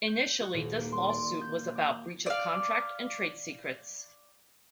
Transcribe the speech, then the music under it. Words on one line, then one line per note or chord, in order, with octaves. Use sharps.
Initially this lawsuit was about breach of contract and trade secrets.
G6
F#4
D#1
A#3
C6
D5
G6
D6
D5 F5